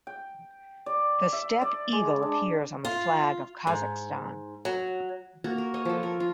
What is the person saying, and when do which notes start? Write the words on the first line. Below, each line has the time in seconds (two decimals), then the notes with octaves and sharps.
The Steppe Eagle appears on the flag of Kazakhstan.
0.07 G5
0.86 D5
1.33 E5
1.62 D5
1.92 G#3
2.22 D4
2.85 F4
3.67 G#2
4.65 F#3
5.44 A#3 F#4 A#5
5.58 A#4
5.74 C#5 D#5
5.85 F3 A4
6.03 A#4
6.20 F4